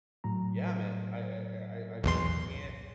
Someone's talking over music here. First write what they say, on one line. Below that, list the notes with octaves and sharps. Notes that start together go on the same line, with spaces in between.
yeah, man, I I I I I can't
A2 F#3 A#5
B1 E2 C6